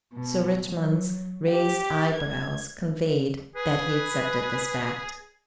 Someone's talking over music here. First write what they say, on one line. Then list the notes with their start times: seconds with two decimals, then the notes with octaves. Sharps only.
Sir Richmond's raised eyebrows conveyed that he accepted this fact.
0.12 B2
0.64 F#3
1.47 G4
2.15 G#6
3.56 G#4 B4